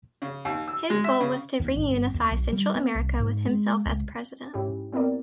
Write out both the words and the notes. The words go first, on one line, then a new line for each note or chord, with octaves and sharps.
His goal was to reunify Central America with himself as President.
C#3
D#2
E6
G#3
E5
C#3
D#2
G1
G1
D#2
B1
G3
B3
C2
G#2
G#3
C#2
G#2 C#4 E4 G4
B3 C4 E4 A#4 D5